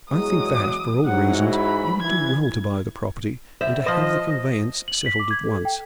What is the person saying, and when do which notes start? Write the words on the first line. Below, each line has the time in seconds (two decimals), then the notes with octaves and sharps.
I think that, for all reasons, you would do well to buy the property and to have the conveyance settled at once.
0.11 E2 F#3 G#3 D#6
1.06 G#2 E3 F#3 F#5
1.53 B5
2.03 E3 G#6
3.61 F#2 C4 E5
3.86 F3 C5 D#5
4.88 F#7
5.06 B6
5.19 D6
5.31 G#6
5.44 A4
5.65 G5